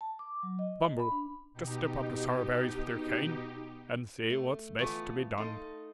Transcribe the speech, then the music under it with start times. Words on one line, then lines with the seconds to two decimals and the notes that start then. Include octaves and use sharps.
Bumble, just step up to Sowerberry's with your cane, and see what's best to be done.
0.01 A5
0.19 D6
0.43 F#3
0.59 D#5
1.00 B5
1.12 D4
1.53 B2 D#4 G4
4.30 A3
4.79 E3 A3 B3 F4 C#5
5.38 D#4 F4 A4